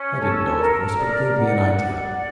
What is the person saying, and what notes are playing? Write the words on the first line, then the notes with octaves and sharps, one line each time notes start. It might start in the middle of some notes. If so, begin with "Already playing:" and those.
I didn't know, of course, but it gave me an idea.
Already playing: C#4
A4
A#4
D5
F#5
D5